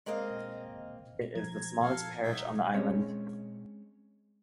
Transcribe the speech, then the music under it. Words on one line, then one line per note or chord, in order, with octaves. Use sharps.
It is the smallest parish on the island.
G#3 A#3 C4 D#5 F5
F3 A#5 G#6
A4 F5
F#3 D#4 E5
G#3 C4 C#4 C#5